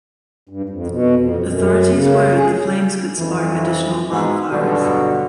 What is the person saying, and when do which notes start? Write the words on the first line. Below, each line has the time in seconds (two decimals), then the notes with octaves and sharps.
Authorities worried the flames could spark additional wildfires.
0.49 G2
0.69 F2
0.89 B2
1.16 F2
1.44 F#2
1.93 C#3
2.34 G#4
3.18 F2 E3
4.10 G#2 B2
4.50 G2 B2 D3 F#3 G3 F#4